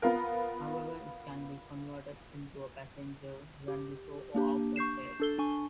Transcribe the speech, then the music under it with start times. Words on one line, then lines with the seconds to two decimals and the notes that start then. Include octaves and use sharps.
However, it can be converted into a passenger van before or after sale.
0.02 B3 F4 A#4
3.68 G4
4.35 A#3 D4 G4
4.76 C#6 G6 C7 E7
5.20 D4 A4 G7
5.38 D4 G#5 C#6